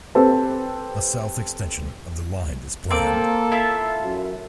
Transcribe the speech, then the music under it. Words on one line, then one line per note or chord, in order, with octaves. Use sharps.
A south extension of the line is planned.
C4 G4 A4 B4 C5 A5
A#3 C4 A4 D6
E4 F4 E5
F#2